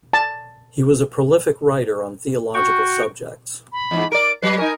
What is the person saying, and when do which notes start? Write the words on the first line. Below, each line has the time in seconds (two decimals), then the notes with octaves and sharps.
He was a prolific writer on theological subjects.
0.13 A5
2.54 F#4 G5 C#6
3.72 B5
3.91 E2 G#2
4.12 A#4 D5 D7
4.42 F#3 B4 C7
4.58 D#4 A#4 G#5